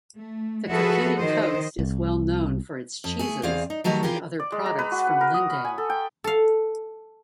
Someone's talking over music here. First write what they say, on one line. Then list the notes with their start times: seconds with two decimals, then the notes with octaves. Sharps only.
The Kapiti Coast is well known for its cheeses and other products from Lindale.
0.15 A3
0.70 F3 F#4 G#4 A4 B4 E5
1.16 D#3 C5 D#5
1.79 C2
3.04 F2
3.19 A3 G#4
3.43 E2 C4 G#4 D5 F5
3.70 D#4
3.84 D#3 F#3 A3 G4 D#5
4.03 E3 F4 G4 G#4 A#4
4.40 D5
4.52 G#3
4.66 A#5
4.79 B4
4.92 F#4
5.07 F#5
5.21 A#4
5.34 D#6
5.50 B5
5.65 G#5
5.78 A4
5.90 G5
6.24 A4 F5